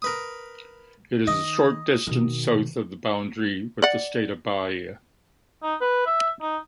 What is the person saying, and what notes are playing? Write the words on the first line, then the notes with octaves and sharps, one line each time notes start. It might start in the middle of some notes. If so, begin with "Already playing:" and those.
It is a short distance south of the boundary with the state of Bahia.
A#4 B4 D#6
D#3 D#5
B2 D#3
D5 F#5
D#4
B4
E5
D#4